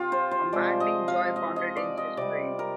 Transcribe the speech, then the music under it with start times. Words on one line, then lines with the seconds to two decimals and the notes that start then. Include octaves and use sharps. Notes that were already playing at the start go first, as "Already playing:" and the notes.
A maddening joy pounded in his brain.
Already playing: C3 F4 G4
0.12 C5
0.31 C5
0.52 C3 F3 G#3 D5
0.80 D#5
1.08 F5
1.36 D#5
1.56 D#5
1.77 D5
1.97 D#5
2.17 C3 G3 D5
2.59 A#4